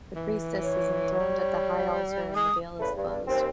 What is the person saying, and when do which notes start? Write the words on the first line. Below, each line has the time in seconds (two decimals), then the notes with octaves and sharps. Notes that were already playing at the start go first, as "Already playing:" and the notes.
The Priestess is enthroned at the High Altar and the veil is closed.
0.16 E3
0.62 C#5
1.19 G3
2.36 G#3 D#6
2.80 E2 C#3 A3 B4
2.96 G2
3.28 D#2 C4